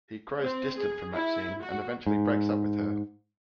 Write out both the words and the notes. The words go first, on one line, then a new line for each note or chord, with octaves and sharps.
He grows distant from Maxine and eventually breaks up with her.
C4
G#4
E4
F#4
G#2